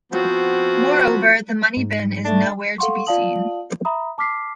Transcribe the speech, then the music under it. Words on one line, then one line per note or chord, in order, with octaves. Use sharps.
Moreover, the Money Bin is nowhere to be seen.
F3 B3 C4 F4 F#4
G#2
A3 D4
A4 F5 F#5 C6 C#6
F4 D5 F5 A5 D#6 F#7
E5 A#5 B5 D#6
A5 D6 F6 B6 C7